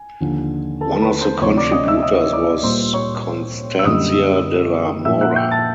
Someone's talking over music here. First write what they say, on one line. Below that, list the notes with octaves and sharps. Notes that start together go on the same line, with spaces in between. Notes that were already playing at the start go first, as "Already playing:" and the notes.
One of the contributors was Constancia de la Mora.
Already playing: G#5
D#2 D3 F3
A4 A5
B4 B5
C5 C6
D2 C3 F3 A3 C#5 C#6
D5 D6
D#5 D#6
E5 E6
D#5 D#6
D5 D6
A#2 G3 A#3 C5 C6
C#5 C#6
E6
F#2 D3 G3 A#3 D#5 D#6
A#2 F3 A#3 E5 E6
F#5 F#6
G5 G6
A5 A6